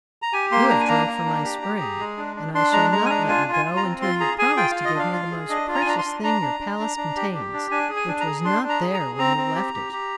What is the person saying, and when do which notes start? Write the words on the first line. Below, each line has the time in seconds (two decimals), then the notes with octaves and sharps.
'You have drunk from my spring, and I shall not let you go until you promise to give me the most precious thing your palace contains, which was not there when you left it.'
0.22 A#5
0.33 G4 G#5
0.51 A#3 C6
0.70 D4 A#5
0.80 G#5
0.88 A#3 A#5
1.07 A#3
1.25 D4
1.44 G4
1.62 G4
1.80 G#4
2.00 G#3
2.17 D4
2.36 D4
2.54 D4 C6
2.73 G#3 A#5
2.92 G#3 A#5
3.06 G#5
3.10 D4 A#5
3.28 F4 G#5
3.47 F4
3.53 G#5
3.65 F4
3.77 A#5
3.83 C4
4.02 F4 C6
4.20 G#4 A#5
4.39 G#4 G#5
4.57 F4 G5
4.71 F4 F5
4.85 D#5
4.95 D4 F5
5.13 F4
5.31 G#4
5.50 D4 D#5
5.68 F4
5.75 A#5
5.81 G#5
5.86 D4 A#5
5.99 C6
6.05 D4
6.24 D4 A#5
6.42 D4
6.60 D4
6.79 D4
6.97 D4
7.16 G4
7.35 G4
7.53 D4
7.71 D4 G#5
7.89 G#4
7.96 G#5
8.08 D4
8.20 A#5
8.26 G#4
8.44 D4 C6
8.63 D4
8.69 A#5
8.82 G#4
8.94 A#5
8.99 G#4
9.19 C4 A#5
9.37 C4
9.55 G4
9.74 G4
9.93 G4